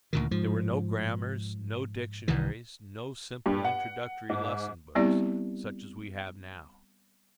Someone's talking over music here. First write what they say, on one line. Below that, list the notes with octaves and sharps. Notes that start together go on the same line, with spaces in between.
There were no grammars, no dictionaries, no simple introductory lesson books, such as we have now.
D2 A#2 D#3
G#2 F3
C2 D#3 E3
G2
F#5
G#2
G3 B3 C4 E4 G4 D5